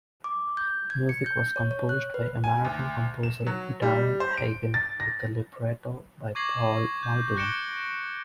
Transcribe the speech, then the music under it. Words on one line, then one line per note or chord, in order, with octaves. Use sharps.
Music was composed by American composer Daron Hagen with a libretto by Paul Muldoon.
D6
G6
G#6
C#7
G6
C#5
C#5
F#6
B4
G#5
D2
E7
F#3
G3
C5
D7
A6
A#6
C#6 D6 G#6 A#6 C7 F#7
G6
F#6 A#6 C#7 D7 E7 G7